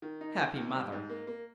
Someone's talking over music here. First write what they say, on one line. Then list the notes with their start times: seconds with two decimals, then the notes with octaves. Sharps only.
Happy mother!
0.02 D#3
0.21 D#4
0.38 D#2
0.56 D#2
0.74 G3
0.92 G#2
1.10 A#3
1.27 A#3